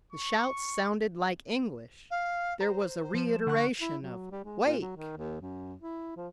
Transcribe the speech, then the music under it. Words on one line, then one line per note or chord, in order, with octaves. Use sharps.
The shouts sounded like English, there was a reiteration of "Wake!"
C#6
F5
C5 A#5
F3 E7
D3 F#5 C#6 F#6
E4
F#3
G3
G#3
A#2
F#3
D#3
D#2
F#2
E4
F3